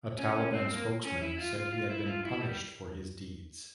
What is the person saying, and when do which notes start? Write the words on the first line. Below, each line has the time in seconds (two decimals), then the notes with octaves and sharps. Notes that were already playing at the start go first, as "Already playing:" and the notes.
A Taliban spokesman said he had been "punished for his deeds".
0.19 C#4
0.36 C#4
0.53 C4
0.70 A#3
1.05 C#4
1.21 E4
1.39 F4
1.56 F4
1.73 F4
1.90 E4
2.07 F4
2.25 E4
2.41 G3